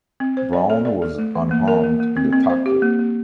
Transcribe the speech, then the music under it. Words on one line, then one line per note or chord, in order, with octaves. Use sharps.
Brown was unharmed in the tackle.
C4
C5
D5
A4
D5
A4
A3
E3
A#3
A#4
A#3
A#3
C4
C4
C5
G4
A#3
A#3